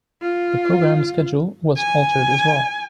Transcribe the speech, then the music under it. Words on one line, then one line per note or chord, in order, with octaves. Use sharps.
The program schedule was altered as well.
F4
G#5